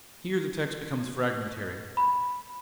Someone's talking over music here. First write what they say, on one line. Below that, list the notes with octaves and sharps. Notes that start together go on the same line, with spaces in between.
Here the text becomes fragmentary.
B5